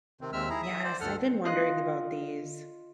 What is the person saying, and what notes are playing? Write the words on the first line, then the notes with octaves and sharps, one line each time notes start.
Yes, I've been wondering about these.
C3 D#3 C4
D#2 G#3 C4 E5 E6 F6
E4 G#4 A#5
E5 D#6
C5 D5
D2 G2 A4 F#5 F6
F4 D#5 F#6